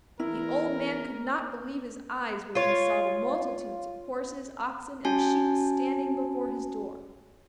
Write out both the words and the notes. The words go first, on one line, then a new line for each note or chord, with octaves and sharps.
The old man could not believe his eyes when he saw the multitudes of horses, oxen and sheep standing before his door.
E2 E4 A#4
F4 C#5
C#4 F#4 G#5 A5